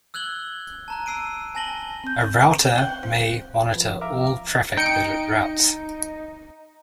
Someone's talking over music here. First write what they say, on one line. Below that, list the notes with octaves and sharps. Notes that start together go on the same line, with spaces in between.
A router may monitor all traffic that it routes.
E6 F#6 G#6 F#7 G7
A5 A#5 F#6
E6 C7 D7 D#7
G#5 A5 A#6 F#7 G7
C4 G6
F#5 G5
F3
F3 B4
E5 F5 A#5 D6 F6
D#4 G5 C#7 D7